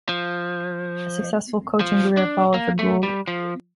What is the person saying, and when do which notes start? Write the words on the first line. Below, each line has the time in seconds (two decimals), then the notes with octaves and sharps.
A successful coaching career followed for Gould.
0.09 F3
1.81 F3
2.17 D4
2.54 A#3
2.79 A3
3.03 G3
3.28 F3